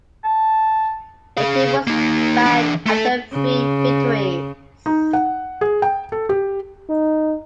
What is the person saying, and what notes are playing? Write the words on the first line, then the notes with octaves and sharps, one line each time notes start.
It too was banned after three victories.
A5
G#4 F5
A#3 D#4
E3 D4
A3 A4
C#3
D#4
F#5
G#4
G5
A4
G4
D#4